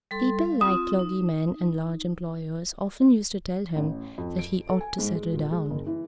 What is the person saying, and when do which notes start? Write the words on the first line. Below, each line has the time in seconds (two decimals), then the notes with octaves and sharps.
People like clergymen and large employers often used to tell him that he ought to settle down.
0.11 G3 A4 C6
0.46 F5
0.61 C4 F4 D#6
0.99 D#4
3.76 A1
4.18 F2
4.39 D7
4.69 A4
4.81 G#5
4.99 G#2
5.14 G#3
5.32 A#2
5.51 G#3
5.71 F#1
5.87 E3